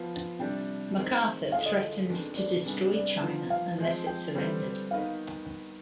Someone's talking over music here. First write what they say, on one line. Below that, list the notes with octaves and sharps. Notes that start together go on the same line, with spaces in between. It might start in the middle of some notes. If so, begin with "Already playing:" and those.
MacArthur threatened to destroy China unless it surrendered.
Already playing: F3 B3 F4
C3 G3 D4 G4 D5 G5
D#3 G#3 C4 D#4
D3 G#3 D4 F4 G#4 F5
D#5
F2 D#3 G#3 B3 D4
D5
C3 G3 B3 D4 G#4
D5
F3 B3 F4
F5
F3 G#3 C4
G5
D3 G3 C4 G4 B4
D#3 B3 D#4 B4 D#5 F5